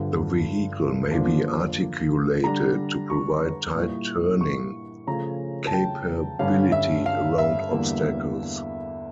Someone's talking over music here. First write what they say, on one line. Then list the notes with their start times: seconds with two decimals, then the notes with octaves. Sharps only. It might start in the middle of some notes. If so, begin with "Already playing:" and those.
The vehicle may be articulated to provide tight turning capability around obstacles.
Already playing: G2 D3 F3
1.11 D3 F3 A#3 D4
2.44 D3 G3 D4 A#5
3.10 C#6
3.75 A#2 G3 A#3 E4
4.41 C#6
5.07 C#3 F3 A3 C#4 F4 A#5
5.67 A5
5.73 G5
6.39 G2 D3 G3 C#4 F5
6.72 E5
7.06 F5
7.38 E5
7.71 E2 D3 G3 A#3